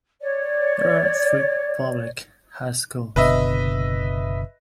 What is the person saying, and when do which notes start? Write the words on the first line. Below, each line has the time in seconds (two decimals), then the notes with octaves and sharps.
There are three public high schools.
0.21 C#5 D5
3.16 F#1 B2 D3 B4 D#5 E5